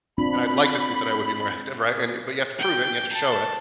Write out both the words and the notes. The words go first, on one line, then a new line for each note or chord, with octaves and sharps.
and I'd like to think that I would be more acti right? And but you have to prove it and you have to show it.
C4 D4 F4 B5
G5
A5